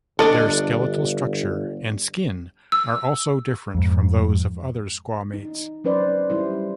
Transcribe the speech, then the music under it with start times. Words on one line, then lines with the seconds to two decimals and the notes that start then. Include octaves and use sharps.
Their skeletal structure and skin are also different from those of other squamates.
0.19 G1 D4 A4 D5 D#5
2.72 E6
3.75 F2 G#2
5.34 D#4
5.84 F#3 C#4 B4 C5 D5
6.30 G3 E4 C5